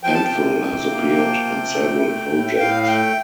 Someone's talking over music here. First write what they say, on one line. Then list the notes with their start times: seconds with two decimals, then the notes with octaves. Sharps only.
Hemphill has appeared in several projects.
0.03 F3 G5
0.14 A5
0.24 G5
0.32 C3
0.60 C3
0.89 A#3
1.17 F3
1.45 C3
1.74 A3
2.03 A3
2.31 A2
2.59 A2 F5
2.83 F5
2.88 A3 G5